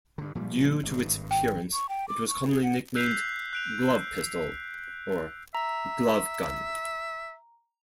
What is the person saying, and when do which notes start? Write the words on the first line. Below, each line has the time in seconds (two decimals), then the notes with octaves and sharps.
Due to its appearance, it was commonly nicknamed "Glove Pistol" or "Glove Gun".
0.18 G2 D3
0.35 A#2 F3 G3
0.83 G#1 G2
1.31 G5
1.73 C#6
1.89 G5
2.08 D6
2.28 C#6
2.48 G#4
2.63 F#5
2.95 E6 F#6 G6 B6 C7 F7
3.53 F#6 D7 F7
5.55 E5 A#5